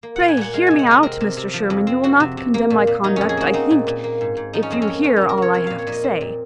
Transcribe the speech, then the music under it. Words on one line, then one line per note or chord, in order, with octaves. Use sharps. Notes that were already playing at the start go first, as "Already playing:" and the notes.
"Pray hear me out, Mr. Sherwin: you will not condemn my conduct, I think, if you hear all I have to say."
A#3
A#2 F#5
G#5
A#2 F#5
G#3 F5
C3 G#5
F#5
C3 D#5
C4 A#4
C3
C3
F3
F2
C4
C4 F#4
C3
C3
A#3
A#2
A#2
F#3 D#4
F2 C#4
G#4
A#3 F#4
C4 D#4
A#2
A#2
A#3
G#2
G#2
F3 D#4
C#4
F2 C4
C#4
A#3
A#3 C#4
C3 C#4
A#4
C3 C#5
C4 C#5
A#2 F5
C#5
A#2
D#5
C4
A#2